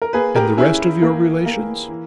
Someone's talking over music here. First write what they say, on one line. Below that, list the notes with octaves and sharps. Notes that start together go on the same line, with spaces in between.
'And the rest of your relations?'
A#4
A#3 G#4 B4
G4 A#4
C#4 E4 G#4
A#3
A#3
E3